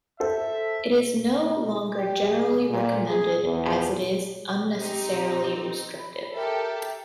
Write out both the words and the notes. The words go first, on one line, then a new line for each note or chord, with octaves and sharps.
It is no longer generally recommended as it is unnecessarily restrictive.
A4 C5 E5
G4
G#4
A#2
G#4
E2
C4 D#4 G4
B5
G4 A4 A#4 E5